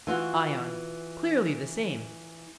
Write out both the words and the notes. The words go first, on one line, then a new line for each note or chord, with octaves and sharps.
ION: Clearly the same.
E3 F4 F#4